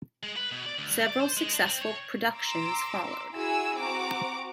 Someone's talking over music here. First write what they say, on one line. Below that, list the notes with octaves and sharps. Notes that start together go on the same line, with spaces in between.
Several successful productions followed.
G#3
B4
B2
D5
D2
G2
D5
C5
G#3
D4
C4
C#5
A#5 C6 D6 E6
E4 F#4 G#4 G#5 E6
C4 F#4 A#5 D6